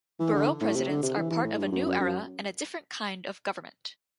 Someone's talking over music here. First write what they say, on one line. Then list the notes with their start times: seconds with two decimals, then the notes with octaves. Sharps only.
Borough presidents are part of a new era and a different kind of government.
0.20 E3
0.33 D3
0.61 A2
0.75 C3
0.89 D3
1.03 C3
1.17 E3
1.31 E3
1.44 A2
1.58 G2
1.72 F#2
1.86 F#2
2.00 F#2